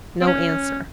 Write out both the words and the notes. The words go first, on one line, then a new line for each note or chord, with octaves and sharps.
No answer.
C4
C#4